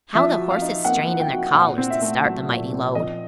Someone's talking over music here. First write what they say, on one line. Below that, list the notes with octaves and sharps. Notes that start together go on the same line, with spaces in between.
How the horses strained in their collars to start the mighty load!
F3 E5
F#4
F5
D#4
A#3 F#5
F3
G5
F#4
A#2 F#5
C4
E5
A3
F#3
A#2
C4
F3 D#5